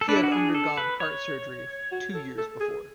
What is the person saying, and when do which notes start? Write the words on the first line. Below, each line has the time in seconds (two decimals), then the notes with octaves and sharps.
He had undergone heart surgery two years before.
0.01 A4
0.08 D4 B4
0.16 E4
0.23 F#4
0.32 G#4
0.55 A4
0.77 B4
1.00 C#5
1.92 F#4
2.14 A4
2.38 A4
2.61 G#4